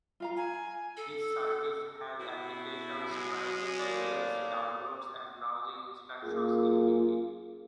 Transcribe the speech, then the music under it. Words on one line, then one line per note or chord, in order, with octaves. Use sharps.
This service has applications, pricing details, downloads and browsing instructions in Hindi.
F4 F5 A#5
G#5
A4
B2 E4 F#4
F#3 G#3
A2 D#3 A#3 D5
F#2 A#3 F4 G#4